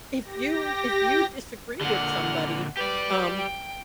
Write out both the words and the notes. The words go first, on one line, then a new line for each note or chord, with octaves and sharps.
if you if you disagree with somebody, um,
G4 A#6
A#2 D3 F#5 F6
G4 B4 D5
G5